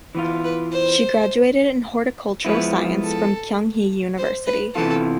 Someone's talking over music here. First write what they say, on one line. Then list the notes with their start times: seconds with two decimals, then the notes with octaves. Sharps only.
She graduated in Horticultural Science from Kyung Hee University.
0.15 E3 B3 F4
0.44 B4
0.72 C5
2.45 F3 G#3 B3 E4 B4
3.03 A4
4.18 C5
4.47 B4
4.75 C3 E3 B3 F4 A4